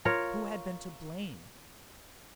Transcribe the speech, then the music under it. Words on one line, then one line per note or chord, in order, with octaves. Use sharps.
Who had been to blame?
F4 A#4 C#5